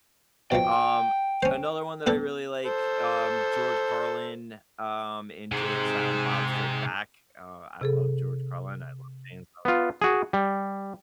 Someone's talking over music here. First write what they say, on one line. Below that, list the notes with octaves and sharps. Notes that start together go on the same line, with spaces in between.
um, another one that I really like, um, George Carlin, um, in Jay and Silent Bob Strike Back, uh, I love George Carlin, I love Jay and Silent Bob Strike Back
B2 F3 F#3 G5
C#4 C5
B3 G4 A4
A4 C5
G#2 C3
C3 G#4 A4
B3 F4
F#4 G#4
G3